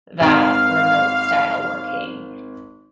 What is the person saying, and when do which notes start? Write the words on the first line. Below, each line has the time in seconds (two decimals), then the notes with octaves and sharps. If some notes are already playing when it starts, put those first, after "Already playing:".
that remote-style working,
0.21 G#1 F5 D7